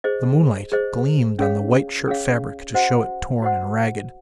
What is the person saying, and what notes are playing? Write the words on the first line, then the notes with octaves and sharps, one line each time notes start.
The moonlight gleamed on the white shirt fabric to show it torn and ragged.
G#4 C5 D#5
G#4 C5 D#5
C#4 G#4 C#5 F5
C#4 G#4 C#5 F5
F#4 C5 D#5 F#5
F#4 C5 D#5 F#5